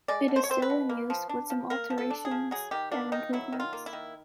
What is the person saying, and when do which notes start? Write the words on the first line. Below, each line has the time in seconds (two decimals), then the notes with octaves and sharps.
It is still in use, with some alterations and improvements.
0.08 G#3 D5
0.28 B2
0.36 C5
0.43 C#5
0.50 C4 C5
0.62 B4
0.70 B2
0.89 A#3
1.10 F3
1.29 D4
1.50 F3
1.70 A#3 A#4
1.90 F3
1.98 A4
2.11 D4
2.25 G#4
2.31 F3
2.51 F#3 G#4
2.71 D#3 G4
2.92 A#3 D4
3.12 D#3 D#4
3.33 F#3 E4
3.52 D#3
3.60 F4
3.73 A#3
3.86 E4
3.93 D#3